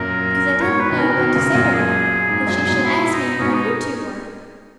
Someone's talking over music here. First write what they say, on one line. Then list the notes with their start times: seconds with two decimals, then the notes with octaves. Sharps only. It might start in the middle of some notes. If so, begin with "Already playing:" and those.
"Because I didn't know what to say to her, if she should ask me where you two were."
Already playing: F#2 A#2 A#4
0.62 G#2 B2 C#5
0.80 B4
0.90 B2 D#3
0.98 A#4
1.17 B2 D#3
1.36 A#2 C#3
1.54 F#2 A#2
1.73 G#4
2.28 G#2
2.47 F#2 A#2
2.65 G#2 B2
2.84 E4
3.12 D#4
3.40 G#2 B2 C#4
3.54 D#4